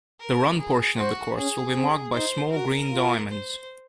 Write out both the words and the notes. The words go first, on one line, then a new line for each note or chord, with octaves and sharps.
The run portion of the course will be marked by Small Green Diamonds.
A#4
G#4
F#4 C5
C#4 G#4
C4
D#4 C5
F#4 A#4
F4
C5